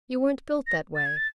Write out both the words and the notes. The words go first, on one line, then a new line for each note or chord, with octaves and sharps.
You weren't built that way.'
A#6
A6
G#6
A6